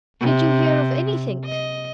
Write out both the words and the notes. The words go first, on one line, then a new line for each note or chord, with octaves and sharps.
"Did you hear of anythink?"
C3
D#5